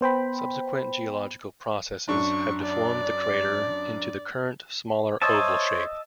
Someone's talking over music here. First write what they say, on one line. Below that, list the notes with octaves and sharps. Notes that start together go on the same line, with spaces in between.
Subsequent geological processes have deformed the crater into the current smaller oval shape.
B3 C5 G5 B5
F#2 D4 C#6
D5
C5 C#5 D#5 E5 A5